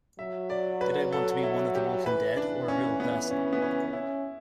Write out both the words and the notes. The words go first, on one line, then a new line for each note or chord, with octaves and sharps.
Did I want to be one of the walking dead or a real person?
F#3 E5
D5
B4
A4
E4
G4
E3 B4
D4
C#4
B3
C#4
B3
C#4
C#4 E4